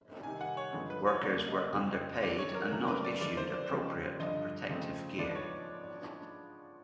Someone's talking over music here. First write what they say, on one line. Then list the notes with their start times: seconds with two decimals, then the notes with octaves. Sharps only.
Workers were underpaid and not issued appropriate protective gear.
0.23 C3 D#3 G3 G#5
0.41 F#5
0.57 C#5
0.73 G2 D3 F3 G#3 B3
0.90 B4
1.07 C#5
1.23 C#3 F#3 A#3 D4 D5
1.48 D#5
1.73 F2 C#3 F3 G#3 C4
2.22 F#2 D#3 G3 D5
2.38 C#5
2.55 A#4
2.71 F#2 C#3 F#3 A3 C4 A#4
2.88 B4
3.04 D5
3.21 D3 F3 G#3 D5
3.37 C5
3.54 D5
3.70 C#3 F3 G#3 C4
4.20 G2 D3 F3 D#5
4.69 C#3 F3 A3 C4
5.18 G#2 F3 G#3 B3 D4 D5
5.35 C#5